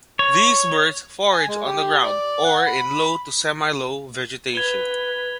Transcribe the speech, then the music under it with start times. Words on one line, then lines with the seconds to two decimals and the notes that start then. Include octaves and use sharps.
These birds forage on the ground or in low to semi-low vegetation.
0.19 C#5
1.32 G#5
1.48 G#3
1.66 G4
2.03 D5
2.44 F#5
2.67 B5
4.55 B4 G#6 F7 G7